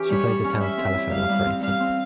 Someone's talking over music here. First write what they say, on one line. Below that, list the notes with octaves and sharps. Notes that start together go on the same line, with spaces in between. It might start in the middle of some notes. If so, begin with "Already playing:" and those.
She played the town's telephone operator.
Already playing: E3 C#4 G4
G3 C#5
G3
C#4
G3 E5
C4
E4
G3 F5
G3
C4
G3 F5
C4